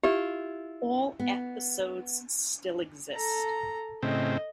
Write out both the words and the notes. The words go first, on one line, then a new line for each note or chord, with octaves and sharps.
All episodes still exist.
E4 F4 G4
B3
A4 A#5
A2 C#3 C4 D#5